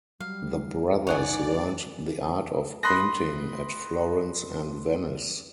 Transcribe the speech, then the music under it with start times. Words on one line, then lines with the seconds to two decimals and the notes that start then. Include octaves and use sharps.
The brothers learnt the art of painting at Florence and Venice.
0.20 F#3 G3 F5
1.07 F#1 C2 D#4 C#5 D5 F#5 G#5
2.83 B5 C6 D#6 F#6 A#6